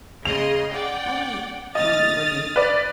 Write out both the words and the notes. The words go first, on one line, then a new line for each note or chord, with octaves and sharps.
"Golly!" murmured William.
C#3 D#5 C6 F7
D5 F#5 G5
D#5 D#6 F6 A6
B4 D5